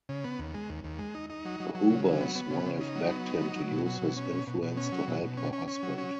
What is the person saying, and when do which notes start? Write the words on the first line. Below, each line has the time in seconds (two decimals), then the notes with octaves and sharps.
Huber's wife begged him to use his influence to help her husband.
0.09 C#3
0.24 B3
0.39 D#2
0.54 G#3
0.69 D#2
0.84 D#2
0.99 G#3
1.15 D#4
1.30 D#4
1.45 F#3
1.60 F#3
1.75 F#3
1.90 C#3
2.05 F#3
2.20 B3
2.35 B3
2.51 C#3
2.66 C#3
2.81 D#4
2.96 F#3
3.11 B3
3.26 D#4
3.41 F#3
3.56 F#3
3.71 B2
3.86 F#3
4.02 B2
4.16 C#4
4.32 B2
4.47 B2
4.62 B2
4.77 C#4
4.92 F#3
5.08 B2
5.23 B2
5.37 C#4
5.53 C#4
5.68 C#4
5.83 F#3
5.98 C#4